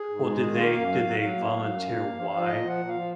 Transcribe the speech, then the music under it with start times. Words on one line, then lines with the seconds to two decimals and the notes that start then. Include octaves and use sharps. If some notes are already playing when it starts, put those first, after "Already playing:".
Well, did they did they volunteer why
Already playing: G#4
0.09 G#2
0.25 G#3
0.41 D#3
0.57 A#3 F5
0.72 F#2
0.88 F#3
1.04 F#3
1.20 F#3 F5
1.36 A#3
1.51 F#3
1.67 F#2
1.83 A#2
1.99 A#3
2.15 F3
2.30 F3
2.46 A#2 D#5
2.62 F3
2.67 F#5
2.77 A#2
2.88 F5
2.93 F3